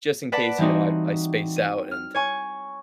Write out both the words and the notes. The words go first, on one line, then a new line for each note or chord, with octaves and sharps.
just in case, you know, I I space out and,
B4 D5 F#5 A5 D6 B6
E3 G3 C4 D#4 F#4
D#7
F6
C#5 G#5 C#6